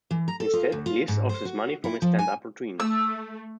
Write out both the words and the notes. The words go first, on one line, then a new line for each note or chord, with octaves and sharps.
Instead, he lives off his money from his stand-up routines.
E3
A#5
A4
F4
D2
F4
G#2
C5
F#4
E4
F3
G#5
A3 E6